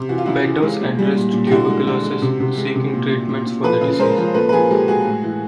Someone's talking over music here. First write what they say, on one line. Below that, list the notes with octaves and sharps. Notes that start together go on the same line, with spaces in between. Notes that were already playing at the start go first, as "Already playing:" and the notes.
Beddoes addressed tuberculosis, seeking treatments for the disease.
Already playing: C3
E3 F#4
F4
C#3 E4 F#4
E3
G#3
A#2
G3
A#2
A#2
G4
D3 E4 F#4
G#3
D3
G#3
C3
C3
G#3
C3
A#2
A#2
A#2
A#2
F3 A4 B4
C#3
G#3 A#4 C5
F3
A#2 A4 B4
B4
F3 G#4 A#4
G#3 G4 A4
G#3 F#4 G#4
A2
E3